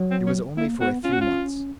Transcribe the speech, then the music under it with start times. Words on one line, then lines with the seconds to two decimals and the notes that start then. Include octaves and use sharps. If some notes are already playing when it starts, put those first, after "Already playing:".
It was only for a few months.
Already playing: F#3
0.11 C4
0.27 C#4
0.57 A#3 E4
0.81 B3 F#4
1.04 C#4 F4
1.12 F#4
1.21 F4